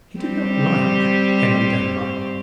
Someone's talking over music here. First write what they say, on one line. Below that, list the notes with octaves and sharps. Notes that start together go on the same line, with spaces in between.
He did not like Henry Dunbar.
G3 C4 G4